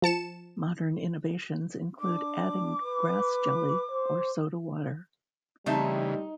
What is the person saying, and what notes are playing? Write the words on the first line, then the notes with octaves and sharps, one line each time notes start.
Modern innovations include adding grass jelly or soda water.
F3 A5 C#7 E7
D4 D6
B4
C5
C#3 E3 G3 A3 C4 D#4 E5